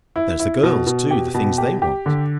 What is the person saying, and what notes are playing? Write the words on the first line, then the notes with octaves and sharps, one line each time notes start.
There's the girls, too--the things they want!
E4
E4
B2
B2
G4
B2
G4
G4
D3